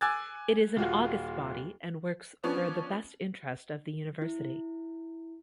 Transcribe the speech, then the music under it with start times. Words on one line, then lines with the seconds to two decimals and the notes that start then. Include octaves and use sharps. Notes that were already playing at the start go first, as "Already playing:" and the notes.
It is an august body and works for the best interest of the University.
0.01 G#5 D6 E6 F#6 G#6 A6
0.76 D#1 F4 F#4
2.43 F3 B3 C#4 D4
4.22 E4